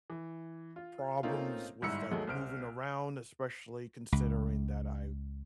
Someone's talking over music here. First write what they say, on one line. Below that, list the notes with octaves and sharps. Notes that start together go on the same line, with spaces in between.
problems with, like, moving around, especially considering that I
E3
F4
A3 A#3 C4 C#4 D#4 F4
G1 G#2 G3 E4 E6 C#7
D#2 F#3 G#3 A3
C2 C5 F6 D7
C#2